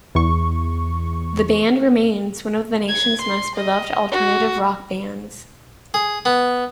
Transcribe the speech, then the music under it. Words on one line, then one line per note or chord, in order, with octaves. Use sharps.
The band remains one of the nation's most beloved alternative-rock bands.
E2 C#6
G#6
C6
D#5
F#4
G#4
B3